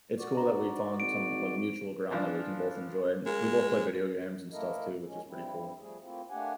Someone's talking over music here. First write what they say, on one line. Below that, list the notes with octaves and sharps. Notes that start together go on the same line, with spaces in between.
it's cool that we found some, like, mutual ground that we can both enjoy, and we both play video games and stuff too, which is pretty cool.
F#4 D5
D2 A#5
G#1 D7
E3 F3 D4
G#3 A#3
A3 A#3 E4 A4 A#4 D#5
D#3 G#3 C#4
G2 G3 C4 E4
F3 G3 A3 G#4
A3 A#3 C4 E4 F4
A3 A#3 D4 G4 F#5 G#5